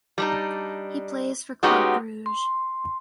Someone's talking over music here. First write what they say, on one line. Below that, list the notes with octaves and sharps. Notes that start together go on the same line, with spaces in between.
He plays for Club Brugge.
G3 D4 D#4
G#3 B3 C#4 D#4 F#4 G4
C6